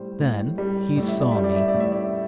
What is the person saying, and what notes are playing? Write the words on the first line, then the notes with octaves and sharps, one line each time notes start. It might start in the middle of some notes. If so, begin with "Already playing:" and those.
Then he saw me.
Already playing: A2 G3 C5
A2
G3
A2 D5
E5
D5
G3 E5
D5
E5
D5
A2
E5
D5